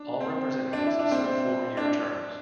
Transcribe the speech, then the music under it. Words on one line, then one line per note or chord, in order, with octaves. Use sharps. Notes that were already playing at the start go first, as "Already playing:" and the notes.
All representatives serve four-year terms.
Already playing: D4
C4
D4
E4
D4
C4
C4
D4